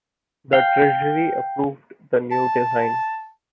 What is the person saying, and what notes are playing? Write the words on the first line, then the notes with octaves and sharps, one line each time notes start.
The Treasury approved the new design.
F5 G5
A5